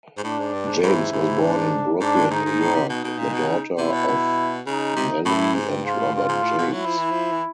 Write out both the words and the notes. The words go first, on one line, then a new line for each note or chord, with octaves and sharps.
James was born in Brooklyn, New York, the daughter of Nellie and Robert James.
G#2
A2 D4
G#2
G2
G#2
G#2 E4
G#2
D4
G#2 D4
A2
G2
G#2 D#4
G#2
A2
C3
B2 D#4
B2
A#2
B2
C#3
C3 E4
B2
B2
C#3 D#4
C3
A2 E4
G#2
G2
G#2 F4
A2
G2 F4
G#2
A2
B2
F#3 E4
F3
E3
F3
E3